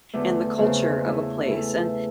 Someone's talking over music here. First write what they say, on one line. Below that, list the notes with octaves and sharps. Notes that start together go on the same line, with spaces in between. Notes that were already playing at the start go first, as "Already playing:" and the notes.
and the culture of a place." And,
E2 D3 A3
E2 C#3 F3 A#3
E3 A3 E4
E3 A3 E4 A4